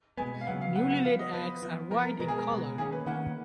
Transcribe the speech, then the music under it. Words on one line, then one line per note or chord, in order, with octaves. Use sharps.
Newly laid eggs are white in color.
B2 G#3 B3 G#5
F5
C#3 F#3 B3 F#5
F5
C#3 F#3 B3 F#5
F#5
F3 B3 F5
D#5
F3 B3 B4
F3 B3
F3 B3 A#4
A#4
B2 G#3 B3 A#4
G#4
A#4
B2 G#3 B3
D#3 A#3 C#4 G#4
B4
D#3 A#3 C#4 F#5